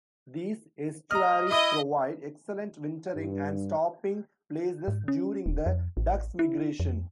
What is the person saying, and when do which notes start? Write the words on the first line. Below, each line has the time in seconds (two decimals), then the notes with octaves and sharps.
These estuaries provide excellent wintering and stopping places during the ducks' migration.
1.11 D#5 A#5 F6
1.51 E4 D#5 E5 D#6
3.14 G2
4.88 G#2
5.08 C#4
5.46 D#1
5.66 F2
5.97 A1
6.39 E4
6.80 F2